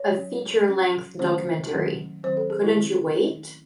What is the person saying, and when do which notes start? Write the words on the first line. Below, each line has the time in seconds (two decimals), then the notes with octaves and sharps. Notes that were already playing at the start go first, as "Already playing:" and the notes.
A feature-length documentary, Couldn't You Wait?
Already playing: C#5
0.15 F#3 C#4
0.68 F#3 C#4
1.19 D#3 F#3 A3 C#4 C5
1.72 D#3 F#3 A3 C#4
2.23 D#3 F#3 C4 C5
2.37 A4
2.50 G#4
2.63 E4
2.76 D#3 F#3 C4
3.28 D#3 A3 C#4